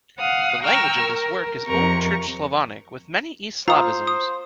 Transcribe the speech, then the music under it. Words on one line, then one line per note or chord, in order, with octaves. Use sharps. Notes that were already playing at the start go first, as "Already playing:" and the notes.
The language of this work is Old Church Slavonic with many East Slavisms.
F5 F#5 D#6
G5 A#5 C#6 E6 F6
A#4
F2 C3 A#4 C#6
F4 C5 A#5 D#6
D#6